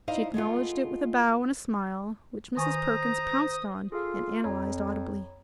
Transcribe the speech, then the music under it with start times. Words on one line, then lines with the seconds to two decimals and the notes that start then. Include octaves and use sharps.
She acknowledged it with a bow and a smile which Mrs. Perkins pounced on and analyzed audibly.
0.08 D#4 E4 C5 D5 D#5 F5
0.34 G#3 A3 B3 F4
2.56 D#3 C5 G#5 A#5 C#6 D#6
3.92 F4 G#4 A4 F5
4.44 F2 C#5 A#5 B5